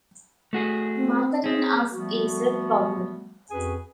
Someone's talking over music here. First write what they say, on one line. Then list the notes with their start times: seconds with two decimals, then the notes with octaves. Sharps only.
Marketing us is a problem.
0.53 A3 F#4 G#4
0.96 C4
1.44 C4 C#4 G#4
1.92 F3 G3 A3 B3 F#4
3.50 F2 C#4 F#4 G#4 B4 G#5